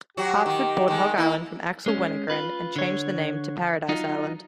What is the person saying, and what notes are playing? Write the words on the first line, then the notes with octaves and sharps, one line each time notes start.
Hartford bought Hog Island from Axel Wenner-Gren and changed the name to Paradise Island.
F#3 F#4 G4
D#3
D#3 G#3
A#3 E4
G#3 C#4
F4 B4
D3 C#5
F#3 D#4 F4